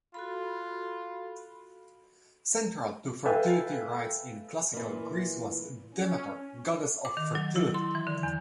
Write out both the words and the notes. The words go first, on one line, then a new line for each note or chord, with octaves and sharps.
Central to fertility rites in classical Greece was Demeter, goddess of fertility...
F4 F#4 A4 B5
A4 B4 E5 F5 G5 G#5
A#2 E3
C#4
D6
D#3
F#3
E4
C6
E3
D3
E2